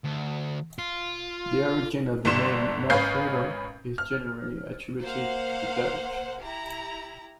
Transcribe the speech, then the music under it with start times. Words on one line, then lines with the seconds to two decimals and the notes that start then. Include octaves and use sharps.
The origin of the name "North River" is generally attributed to the Dutch.
0.04 D2
0.79 F4
2.25 G1 D3 G3 D4 C6 E7
2.90 G#1 C#4 B4 F5 G6 C7
3.98 F6
5.02 A#3 C5 F5 F#5
6.42 E4 G4 A#5